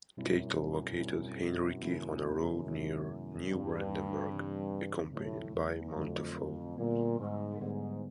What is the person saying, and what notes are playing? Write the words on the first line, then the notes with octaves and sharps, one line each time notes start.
Keitel located Heinrici on a road near Neubrandenburg, accompanied by Manteuffel.
F#2 B2 G3 C4 E4
B2 G3 C4 E4
C3 D#3 G#3 B3 E4
C3 D#3 G#3 B3 E4
G2 C#3 E3 G3 C4
C#3 E3 G3 C4
A2 D3 F#3 A3
E2
F2 D3 F#3 A3
A#2 D3 G3 B3
G#2
G#2 D3 G3 B3